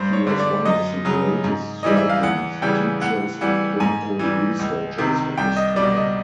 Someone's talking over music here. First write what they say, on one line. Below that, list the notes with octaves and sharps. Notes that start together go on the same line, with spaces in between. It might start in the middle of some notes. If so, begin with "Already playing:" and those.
He was one of the greatest surgeons, teachers and clinical researchers of his time.
Already playing: G2 C5
C#5
D3 G3
D5
F#2 D#5
C#3 F#3
G#2
E3 G3 D#5
E5
F5
E2 F#5
C#3 E3 G3 G5
A2 F#5
E3 G3 F#5
G#2 G#5
E3 G3
C#2
C3 D#3
C2 G5
D#5
B2 G3 D5
D#5